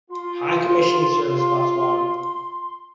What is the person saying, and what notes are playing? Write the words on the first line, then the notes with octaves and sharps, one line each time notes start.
High Commission serves Botswana.
F4 C6